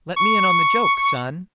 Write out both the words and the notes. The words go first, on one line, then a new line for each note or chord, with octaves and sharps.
"Let me in on the joke, son."
C#6